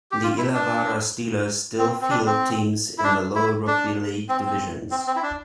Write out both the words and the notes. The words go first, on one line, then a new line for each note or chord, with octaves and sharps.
The Illawarra Steelers still field teams in the lower rugby league divisions.
G4
F4
E4
D4
C4
C4
D4
C4
E4
D4
E4
D4
C4
C4
C4
C4
E4
D4